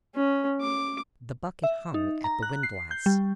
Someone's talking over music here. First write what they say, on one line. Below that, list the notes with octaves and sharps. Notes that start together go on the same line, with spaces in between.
The bucket hung at the windlass.
C#4
D6
E5
D#4
A#5
F#6
C7
G6
G3